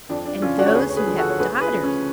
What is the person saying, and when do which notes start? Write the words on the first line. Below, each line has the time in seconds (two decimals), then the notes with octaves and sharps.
And those who have daughters!
0.09 F2 D4
0.25 D4
0.42 C#3 F3 C#4 F4
0.58 D4 F#4
0.66 C#5
0.74 D2 G#4 B4
0.89 C#5
0.96 G#4 B4
1.06 D3 F3
1.18 F#4 A4
1.30 C#5
1.39 D2 G#4 B4
1.61 G#4 B4
1.72 C#3 F3
1.83 C#4